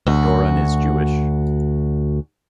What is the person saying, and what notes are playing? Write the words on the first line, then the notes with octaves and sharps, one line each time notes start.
Doron is Jewish.
D2 F#4